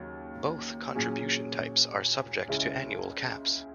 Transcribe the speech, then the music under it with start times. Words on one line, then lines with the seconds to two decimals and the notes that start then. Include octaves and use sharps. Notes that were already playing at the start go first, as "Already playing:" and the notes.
Both contribution types are subject to annual caps.
Already playing: D#2 C#3 F#3
0.95 A#2 F#3 C#4 G#4
2.48 C#2 C#3 G#3 C#4 E4